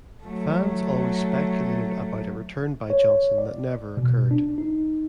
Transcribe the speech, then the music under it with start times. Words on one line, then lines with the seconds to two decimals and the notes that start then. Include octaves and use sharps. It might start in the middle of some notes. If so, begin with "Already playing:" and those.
Fans always speculated about a return by Johnson that never occurred.
0.23 F#3 A3
2.90 C#5
3.38 D5
3.97 B2
4.31 D4
4.58 D#4